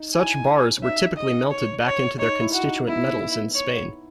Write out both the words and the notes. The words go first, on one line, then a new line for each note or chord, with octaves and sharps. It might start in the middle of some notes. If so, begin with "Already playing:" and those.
Such bars were typically melted back into their constituent metals in Spain.
Already playing: D#4
E4 G#5
C#4
D#4 E5
D#5
C#5
C#5
D#4 C#5
E4
F#4
D#4
B3 E4
C#5